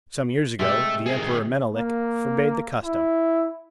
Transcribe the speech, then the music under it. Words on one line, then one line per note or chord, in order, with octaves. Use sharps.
Some years ago the emperor Menelik forbade the custom.
C3 G#3 A4 E5
G#4 A#4
D#3 G#4
A#3
E4